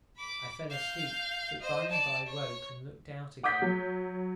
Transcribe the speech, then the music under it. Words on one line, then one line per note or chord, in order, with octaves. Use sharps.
I fell asleep, but by and by woke and looked out again.
B5 D6
F5 G6
C5 D#5
D5 A5
C#5
F#5 D6 D#6 G6 B6
F#3